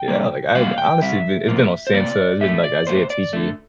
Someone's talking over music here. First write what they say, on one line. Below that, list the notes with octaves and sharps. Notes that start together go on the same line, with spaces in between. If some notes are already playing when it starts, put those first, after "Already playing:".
Yeah, like, I'd honestly, it's been it's been ohsxnta, it's been, like, Izaya Tiji.
Already playing: G5
C3 G3 A#3
C3 G3 A#3 F5
G5
C3 G3 E5
C3 F3 A#3
C5
C3 F3 A#3 D5
A#2 A3 E5
D5
A#2 A3 C5
D5
D3 A3